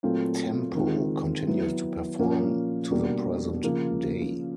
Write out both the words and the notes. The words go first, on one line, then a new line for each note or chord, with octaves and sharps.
Tempo continues to perform to the present day.
A#2 F#3 A3 C4 F4
D#3 G#3 C4 F4
F#3 B3 E4
A#2 F3 A#3 C#4
B2 G3 A#3 D4
C#3 F3 A#3